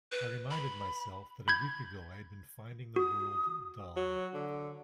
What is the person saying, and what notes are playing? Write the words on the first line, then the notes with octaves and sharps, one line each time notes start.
I reminded myself that a week ago I had been finding the world dull.
B4
B5
B5 G6 G#6
F#4 D#6
F#3
D3